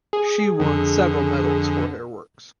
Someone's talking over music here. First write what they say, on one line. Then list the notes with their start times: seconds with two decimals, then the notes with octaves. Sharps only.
She won several medals for her works.
0.13 G#4
0.60 F2 D3